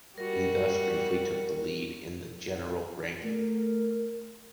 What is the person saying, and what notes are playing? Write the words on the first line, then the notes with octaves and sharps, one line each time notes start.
He thus briefly took the lead in the general ranking.
G3 F#4 A#4
A3 A#4